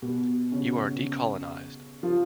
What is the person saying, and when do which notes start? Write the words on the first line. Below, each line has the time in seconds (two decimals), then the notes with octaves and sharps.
You are decolonized.
0.02 B2 B3
0.52 C#3 C#4
2.03 F3 F4